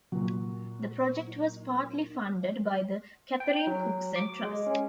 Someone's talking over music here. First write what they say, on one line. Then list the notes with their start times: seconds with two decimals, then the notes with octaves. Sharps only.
The project was partly funded by the Catherine Cookson Trust.
0.12 A#2 F#3
3.40 G5
3.67 F#3
4.16 D6
4.44 G#3
4.67 C#4